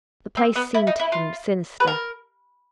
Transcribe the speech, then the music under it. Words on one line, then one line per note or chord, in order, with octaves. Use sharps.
The place seemed to him sinister.
C4
B3
E4
D#4
E4
F4
B4
A#4